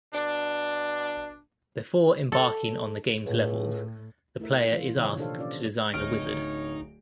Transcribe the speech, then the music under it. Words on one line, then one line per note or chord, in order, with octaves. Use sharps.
Before embarking on the game's levels, the player is asked to design a wizard.
B2 D4
A4
C#2 A2
A3 E4 A#4 E5
E3 F4
C3 D#3 F3 C4 D#4 C#5
A#2 D4 G4 A4 C5 F5
C#4 F4 D5
D1 D#4 C#5 F6 D7